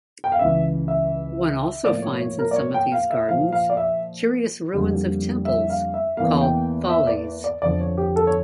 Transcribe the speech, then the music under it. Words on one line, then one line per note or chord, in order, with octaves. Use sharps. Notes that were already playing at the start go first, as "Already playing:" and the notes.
One also finds in some of these gardens-curious ruins of temples-called "follies".
G5
F5
C#2 C#3 E3 E5
E5
A2 F3 A#3 D5
C#5
C#5
A#4
D5
C#5
G5
F5
E5
A#2 F3 A#3 F5
F5
D5
E5
F2 D3 G3 A#3
E5
F5
E5
E2 E3 A#3 F5
G5
E5
D5
D5
F2 D3 F3 D5
C#5
G4
A4
C#5